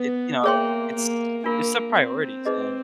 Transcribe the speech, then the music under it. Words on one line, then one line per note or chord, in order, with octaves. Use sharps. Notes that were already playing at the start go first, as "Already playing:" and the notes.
it, you know, it's it's the priorities and
Already playing: B3
A#3 G#4 C#5 E5 G5 C6
A#3
A#3 D4 F4 A#4
C4
D#4 G#4 B4 D#5